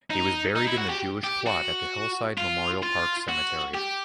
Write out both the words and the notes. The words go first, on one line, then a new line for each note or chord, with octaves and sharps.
He was buried in the Jewish plot at the Hillside Memorial Park Cemetery.
D#4
D#4
E4
F#4
G4
G4
F#4
F4
F4
F#4
G4